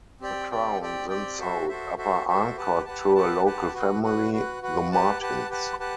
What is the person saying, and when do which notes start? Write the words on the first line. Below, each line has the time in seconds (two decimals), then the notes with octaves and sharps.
The Crown then sold Upper Arncott to a local family, the Martins.
0.21 C4 G4 D5 G5
0.50 C4 G4 D5 G5
0.81 C4 G4 D5 G5
1.09 C4 G4 D5 G5
1.39 F#4 A4 C5 E5
1.68 F#4 A4 C5 E5
1.97 F#4 A4 C5 E5
2.27 F#4 A4 C5 E5
2.56 G4 B4 F#5 A5
2.85 G4 B4 F#5 A5
3.15 G4 B4 F#5 A5
3.44 G4 B4 F#5 A5
3.73 F#4 B4 F#5
4.03 F#4 B4 F#5
4.32 F#4 B4 F#5
4.62 F#4 B4 F#5
4.92 G4 B4 F#5 A5
5.20 G4 B4 F#5 A5
5.49 G4 B4 F#5 A5
5.79 G4 B4 F#5 A5